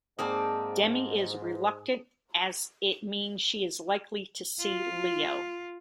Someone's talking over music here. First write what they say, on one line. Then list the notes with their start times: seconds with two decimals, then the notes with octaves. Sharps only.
Demi is reluctant, as it means she is likely to see Leo.
0.19 G#2 A#3 C4 G#4 D5 A5
4.61 F4